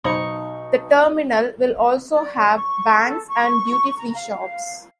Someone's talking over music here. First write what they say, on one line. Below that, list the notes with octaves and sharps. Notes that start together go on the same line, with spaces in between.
The terminal will also have banks and duty-free shops.
B1 D#4 C5 A#5 B5 C#6
D5
C#6
A4
C#6
A#5
F5